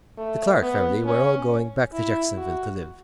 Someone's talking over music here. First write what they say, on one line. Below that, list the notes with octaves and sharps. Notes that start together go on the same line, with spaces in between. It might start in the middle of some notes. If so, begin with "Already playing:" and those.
The Clark family were all going back to Jacksonville to live.
A3
B3
C#4
E4
F#4